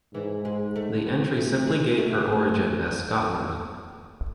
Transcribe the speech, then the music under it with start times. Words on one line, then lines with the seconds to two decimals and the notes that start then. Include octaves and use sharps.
The entry simply gave her origin as Scotland.
0.14 G#2 E3
0.45 G#3
0.76 A3
1.07 B3
1.37 A3
1.67 G#3
1.98 A3